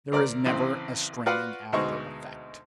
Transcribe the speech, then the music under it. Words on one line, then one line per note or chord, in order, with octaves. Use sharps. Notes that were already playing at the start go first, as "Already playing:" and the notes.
There is never a straining after effect.
D2 A#4 D5 A#5 F6
A1 C#3 C4
F4 F#4 B4 D5 F5 F#5
D2 B2 G#3 D#4 C#6